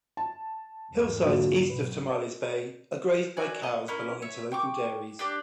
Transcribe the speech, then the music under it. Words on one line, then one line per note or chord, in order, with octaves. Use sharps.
Hillsides east of Tomales Bay are grazed by cows belonging to local dairies.
A5
E2 G#2
A#2 D3 F#3
B1 B4
F#4 D5 G#5
D#5
C#4 E4 A#4
C#5 E5
G5 C#6 D6
D4 G4 D5